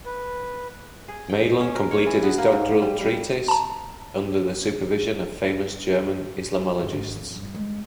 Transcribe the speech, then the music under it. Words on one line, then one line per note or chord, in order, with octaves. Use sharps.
Madelung completed his doctoral treatise under the supervision of famous German Islamologists.
B4
G#4
G5
C#4
A#4
C#5
E3
B3
A#3
G#2
G3
G3
A5 A#5
G1
G#1
F2
G2
G#3